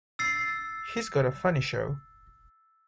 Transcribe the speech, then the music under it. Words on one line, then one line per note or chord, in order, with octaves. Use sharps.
He's got a funny show.
E6 A6 C7